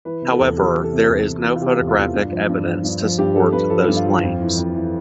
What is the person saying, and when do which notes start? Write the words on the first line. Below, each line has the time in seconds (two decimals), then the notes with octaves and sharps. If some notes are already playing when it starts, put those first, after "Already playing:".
However, there is no photographic evidence to support those claims.
0.05 E3 B4
0.22 C3
0.32 A4
0.40 E2
0.58 E2 G4
0.74 E3
0.84 A4
0.92 C3
1.09 E2
1.27 E2
1.44 E3
1.55 F4
1.61 C3 G4
1.80 E2
1.88 F4
1.97 E2
2.14 G2
2.32 F3
2.49 G2
2.66 F3
2.84 G2
3.01 F3
3.18 G2 G4
3.36 F3 A4
3.52 G2 B4
3.70 F3 A4
3.87 G2
3.96 F4
4.05 F3
4.23 F2
4.41 E3
4.57 F2
4.74 E3